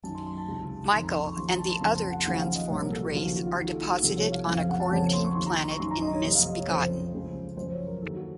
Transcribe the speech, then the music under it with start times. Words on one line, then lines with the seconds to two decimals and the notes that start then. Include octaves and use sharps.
Michael and the other transformed Wraith are deposited on a quarantined planet in "Misbegotten".
0.04 F#2 D#3 A5
0.15 C6
0.26 C6
0.37 A5
0.48 C#2 C3 D#3
0.92 F2 D#3 C6
1.03 A#5
1.14 C6
1.25 C#6
1.36 D#2 C#3 F3 C6
1.48 A#5
1.59 A5
1.70 C6
1.81 F2 C#3 F3 C6
1.95 A5
2.10 F#5
2.25 D#2 C#3 F3 F#5
2.40 F5
2.55 D#5
2.70 C2 A#2 F3 C#5
2.80 A#4
2.92 A4
3.02 F#4
3.14 D#2 C#3 F3 F4
3.25 F#4
3.36 F#4
3.47 F4
3.58 D#2 D#3 F#4
3.69 A4
3.80 F4
3.92 F#4
4.02 C2 C3 F3 A4
4.17 C#5
4.32 F5
4.46 F2 C#3 F3 F5
4.57 F5
4.69 F#5
4.80 A5
4.91 F2 C#3 F3 C#5
5.02 C#5
5.13 C6
5.25 C#6
5.35 D#2 D#3 C6
5.47 A#5
5.57 C6
5.69 C#6
5.80 F#2 D#3 C6
5.91 A#5
6.02 D#5
6.13 C#5
6.24 F2 C3 F3 D#5
6.35 F5
6.47 D#5
6.58 C#5
6.68 F2 C#3 F3 C5
7.13 C#2 C#3 F3
7.57 F#2 F3 C5
7.72 C#5
7.87 A#4
8.01 D#2 D#3 A4
8.16 F#4